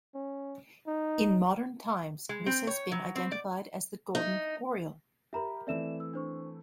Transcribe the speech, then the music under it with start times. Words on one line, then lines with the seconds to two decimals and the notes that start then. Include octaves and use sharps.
In modern times this has been identified as the golden oriole.
0.15 C#4
0.87 D#4
2.29 G#3
2.46 C4
2.67 C#5
2.92 F#3
3.16 C4
3.32 D5
4.15 D#4
5.33 G4 A#4 E5 A#5 B5
5.67 E3 A3 C4 D5 E5 E7
6.00 E6
6.13 D4 C5 C#6